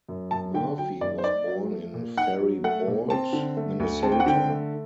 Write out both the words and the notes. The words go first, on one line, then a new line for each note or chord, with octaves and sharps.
Murphy was born in Faribault, Minnesota.
F#2
F#2 A5
D3 G5
F#3 G5
F#2 D5
C5
D#4 D5
F#3
A3
A#2
D#4 F#5
F#3
A3 F#5
A#2
C4 A5
D3
A3
D2
C4 A5
G5
F#5
D3 G5
A3